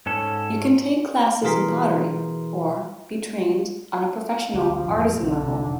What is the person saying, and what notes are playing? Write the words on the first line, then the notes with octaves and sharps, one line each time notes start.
You can take classes in pottery or be trained on a professional artisan level.
G#2 C#4 A4
B2 E3 G#4 A#4 C6 B6
D2 G4
F3
E1 F2 A2
B1 D3 C4
C3
F1 D#3